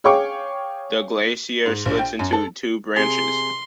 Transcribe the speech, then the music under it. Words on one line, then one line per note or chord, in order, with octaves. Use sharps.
The glacier splits into two branches.
G#4 C#5 F5 G5 C#6 D6
G#2
A#1
G5
F#2
A4
C3 G#4 C6